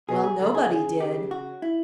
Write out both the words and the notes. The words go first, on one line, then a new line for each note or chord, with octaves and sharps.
Well, nobody did.
B2 G#4
G#4
D3 A4
C#3 G#4
C#3 G#4
G4
F#4
E4